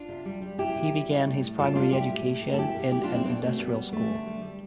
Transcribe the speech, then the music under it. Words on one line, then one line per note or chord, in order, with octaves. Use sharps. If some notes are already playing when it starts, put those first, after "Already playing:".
He began his primary education in an industrial school.
Already playing: D4 F4
C3
G3
G3
C3 E4 G4
C3
G3
G3
A2
A2
G3 F4 A4
G3 D4 F4
A2 E4 G4
A2
A3
A3
A4
B2 E4 G4
B2
A3 E4 G4
D4 F4
A3
C4 E4
B2 B3 D4
B2 A3 C4
G3 B3
G3
D3 A3
D3
G3
G3